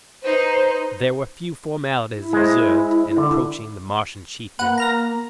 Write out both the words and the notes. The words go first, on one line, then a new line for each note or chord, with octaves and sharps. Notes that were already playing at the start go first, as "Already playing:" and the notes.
There were few formalities observed in approaching the Martian chieftain.
D#4 B4 C5
E4
G#3 C5
D3
A#3 B4 F#5
A#5 F6 A#6